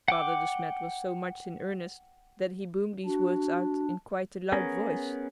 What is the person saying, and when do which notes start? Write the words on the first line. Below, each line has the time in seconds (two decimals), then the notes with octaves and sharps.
Father De Smet was so much in earnest that he boomed these words out in quite a loud voice.
0.08 F#5 G5 D6
3.06 D4 F#4
4.52 B3 C#4 G#4 A#4